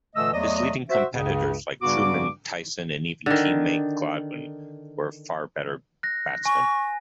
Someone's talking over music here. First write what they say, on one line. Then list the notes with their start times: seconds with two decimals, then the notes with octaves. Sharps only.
His leading competitors like Trueman, Tyson, and even teammate Gladwin were far better batsmen.
0.15 A#2 D3 E3 A3 D#5 E6
0.33 E2 F#3 A3 D5 D#5
0.89 F#4 C5 E5
1.14 C#2 G2 C#3
1.82 G2 C#3 G3 B3 F#4 D6
3.26 D3 D#3
6.03 F#6 A#6
6.45 G#5 C#6